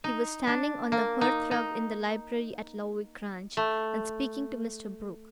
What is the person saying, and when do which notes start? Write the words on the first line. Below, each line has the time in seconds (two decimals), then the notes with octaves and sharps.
He was standing on the hearth-rug in the library at Lowick Grange, and speaking to Mr. Brooke.
0.04 D#4
0.47 D4
0.92 A#3
1.21 D#4
1.51 D#4
3.57 A3